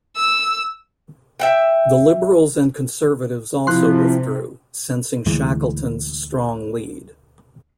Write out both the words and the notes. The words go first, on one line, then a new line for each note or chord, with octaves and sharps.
The Liberals and Conservatives also withdrew, sensing Shackleton's strong lead.
E6
E5 F#5 G5
C3 F3 E4 C6 F#6
D2 A#2 E3 G#3